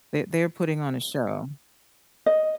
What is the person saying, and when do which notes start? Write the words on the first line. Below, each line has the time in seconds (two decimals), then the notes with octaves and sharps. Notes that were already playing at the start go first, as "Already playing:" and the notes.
They're they're putting on a show.
2.26 D#5